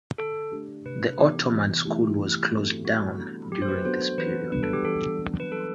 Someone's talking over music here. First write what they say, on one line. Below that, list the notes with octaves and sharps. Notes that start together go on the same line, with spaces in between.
The Ottoman school was closed down during this period.
D3 A4
A3 D4 G4
C3 B4
E3 B3 G4
E3
A3 E4 G4
E3
A3 C4 F#4 A4
G3 F#4
B3 D4 F#4 A4
F#3 G4
C5
B4
B3 D4 F#4 A4 C5
C5
E3 B4
G3 B3 D4 B4
A4
G4
E3 A4
G3 C4
B4
F#3 A4